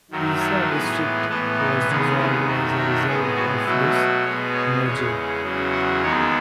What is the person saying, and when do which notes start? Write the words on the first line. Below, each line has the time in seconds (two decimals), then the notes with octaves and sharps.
Isa District was dissolved as a result of this merger.
0.10 F#2 D#3 F#3 A3
0.40 C#5
0.69 A2 E3 G#3 B3 B4
1.29 A2 E3 B3 A4
1.59 D#4
1.88 D#2 C#3 G#3 B3 C#4
2.18 E4
2.47 F#2 D#3 F#3 A3 F#4
2.77 F#4
3.06 A2 G#3 B3 G#4
3.35 F#4
3.65 B2 F#3 A3 E4
3.94 B4
4.25 B2 G#3 B3 C#5
4.54 C#5
4.84 E2 C#3 G#3 C#5
5.43 E2 C#3 F#3
5.72 F#5
6.02 D#2 D#3 G#3 B3 C#5